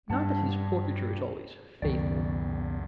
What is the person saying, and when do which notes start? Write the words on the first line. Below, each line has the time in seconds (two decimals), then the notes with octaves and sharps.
Not that his portraiture is always faithful.
0.10 G2 G3 D4 F#5 A5
1.82 C#2 F#2 B2 D#3 D5